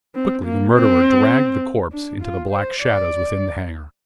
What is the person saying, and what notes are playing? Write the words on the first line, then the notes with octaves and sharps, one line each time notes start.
Quickly the murderer dragged the corpse into the black shadows within the hangar.
C4
A#3
C4
D4
F4
C5
D5